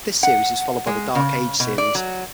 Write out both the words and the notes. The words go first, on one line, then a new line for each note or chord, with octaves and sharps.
This series is followed by "The Dark Age" series.
F#5
G#3
C#3
B2
D5
F#3